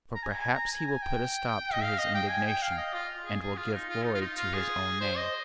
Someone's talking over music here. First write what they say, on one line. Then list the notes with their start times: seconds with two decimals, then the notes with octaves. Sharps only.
For perhaps he will put a stop to his indignation, and will give glory to his own name.
0.15 A#5
0.23 G#5
0.39 G#5
0.54 A#5
0.71 G#5
0.87 G#5
1.03 G5
1.73 D#5
1.83 F5
1.98 D#5
2.15 G5
2.30 G#5
2.47 G5
2.62 F5
2.78 D#5
2.94 F4
3.25 G#4
3.42 G#4
3.57 F4
3.74 D#4
3.89 F4
4.05 D#4
4.15 F4
4.21 D#4
4.37 F4
4.53 G#4
5.01 C5
5.17 D#5